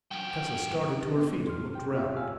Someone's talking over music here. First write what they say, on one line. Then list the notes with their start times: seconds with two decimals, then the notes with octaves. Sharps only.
Tessa started to her feet and looked round.
0.11 F#2 G5
1.16 B3
1.47 C6 F6
1.75 G5
1.94 F4 G4 C#5 E5 F5
2.16 F5 G#5 E6 F6